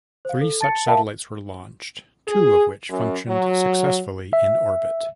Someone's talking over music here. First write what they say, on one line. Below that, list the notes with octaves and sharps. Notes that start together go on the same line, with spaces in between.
Three such satellites were launched, two of which functioned successfully in orbit.
C5 F5
A4
A5 A6 C#7
A#4 E5 F5 G5 A5 B5
G#4
F#2
F#3
E5